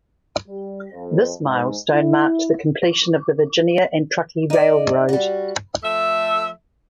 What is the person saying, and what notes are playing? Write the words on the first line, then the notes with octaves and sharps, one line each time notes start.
This milestone marked the completion of the Virginia and Truckee Railroad.
G3
F2
G#2
E4
D#4 D5
G3 F#4
F3 A3 A4 E5